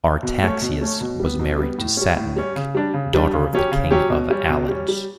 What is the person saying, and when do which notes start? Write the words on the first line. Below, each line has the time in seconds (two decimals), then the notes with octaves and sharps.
Artaxias was married to Satenik, daughter of the king of Alans.
0.23 B2
0.42 A3 C#4
0.62 B2
0.81 A3 C#4
1.01 B2
1.20 G3 B3
1.39 B2
1.59 G3 B3
1.78 A2
1.97 G3 C#4
2.16 A2
2.36 G3 C#4
2.56 C#3
2.75 G3 D4
2.94 C#3
3.14 G3 D4
3.33 C#3
3.53 F#3 C#4 G4
3.72 C#3
3.91 F#3 C#4 G4
4.10 B2
4.30 G3 C#4
4.49 B2
4.69 G3 C#4
4.88 G3